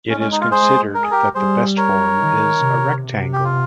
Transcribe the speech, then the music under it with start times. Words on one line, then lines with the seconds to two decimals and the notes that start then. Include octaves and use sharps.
It is considered that the best form is a rectangle.
0.10 G#3 C#4
0.20 C#4
0.32 D#4
0.41 F4
0.52 G#4 C5
0.94 A#4
1.03 G#4
1.11 G4 A#4
1.35 G3 G#4 C5
1.77 A#4 C#5
2.19 D#3
2.61 C3
3.02 C3
3.33 G4
3.44 F4